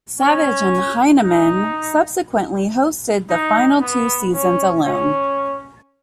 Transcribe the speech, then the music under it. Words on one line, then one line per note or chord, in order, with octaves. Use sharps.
Savage and Hyneman subsequently hosted the final two seasons alone.
C#4
D#4
D#4
B3
C#4
C#4